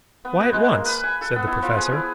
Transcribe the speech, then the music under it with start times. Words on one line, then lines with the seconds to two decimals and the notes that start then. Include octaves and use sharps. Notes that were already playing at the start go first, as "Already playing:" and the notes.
"Why at once?" said the Professor.
0.25 B3
0.40 B2
0.53 G#3
0.66 A#3
0.85 B4
1.04 G#5
1.21 A4
1.36 B3
1.47 E4
1.62 F3
1.77 G#4
1.92 E4